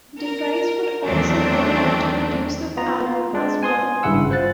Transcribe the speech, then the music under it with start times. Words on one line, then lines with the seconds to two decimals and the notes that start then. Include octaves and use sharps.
DeFries would also go on to produce the album as well.
0.19 A#4
1.03 E2 D#3 F#3 A3 C4 D4
2.77 B3 F4 A#5
3.06 F4
3.33 G#3 D4 D5
3.63 G#5 C6 D#6
4.03 G#1 G2 C#3 E4 F#5 E6
4.30 F4 C5 F#6 A6